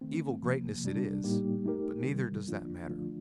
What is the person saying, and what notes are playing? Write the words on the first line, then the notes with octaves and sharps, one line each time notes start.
Evil greatness it is--but neither does that matter.
D#3 A3 C4
C3 F3 A#3
C3 G3 D4
A2 G3 A#3 D#4 G4
A3 D#4 G4 A#4
C3 D#3 G3
D3 F3 A#3 D4 F4
D3 F3 A3 D4 F4